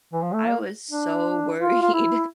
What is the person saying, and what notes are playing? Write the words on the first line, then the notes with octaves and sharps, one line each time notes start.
I was so worried,
E3
F3
A3
A#3
D4
F4
F4
E4